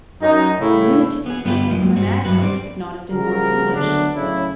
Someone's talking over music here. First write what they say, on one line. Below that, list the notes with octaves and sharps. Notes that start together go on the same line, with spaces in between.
A lunatic escaped from a madhouse could not have been more foolish.
F#2 D#4
A2 C#3 E4
B3 G#4
G2 D3 B3 F4 G4 B4
F#2 F3 G#3 A#3
G2 C4 F#4
G2 F#3 F#4 B4
G3 C4 D4
C#3 F3 G3 F#4 G#4 A#4
D3 F#3 A3 B3 D4
F#2 A2 C#3 F#3 C#4 E4